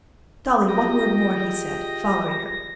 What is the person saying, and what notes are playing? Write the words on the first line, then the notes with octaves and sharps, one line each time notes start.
"Dolly, one word more," he said, following her.
F4 G4 G#4 D#5 G5 A#6